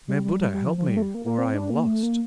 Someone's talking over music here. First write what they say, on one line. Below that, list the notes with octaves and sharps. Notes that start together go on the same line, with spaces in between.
May Buddha help me or I am lost.
G3
G3
G3
G3
F3
F3
G3
A3
G3
A#3
A#3
C4
D4
A#3
A3
A#3